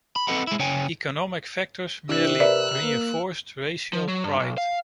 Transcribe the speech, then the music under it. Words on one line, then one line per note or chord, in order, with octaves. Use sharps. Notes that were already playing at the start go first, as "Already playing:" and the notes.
Economic factors merely reinforced racial pride.
B5
C4 A4 B4 D#5 F#5 B5
G#3 E4
C#3 C#5 G5 G#5
C3 D4 E4 D5 E6 F#6
A#4 B4 D5 E5
A#3
F3
F#3
G2
B1
F5